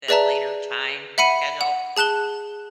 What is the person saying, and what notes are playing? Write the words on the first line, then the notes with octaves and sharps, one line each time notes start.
that later time schedule.
G#4 B4 D5 E5 A5 A#5
E5 F#5 B5 C#7 D#7
F#5
G#4 A5 F#6 E7 G7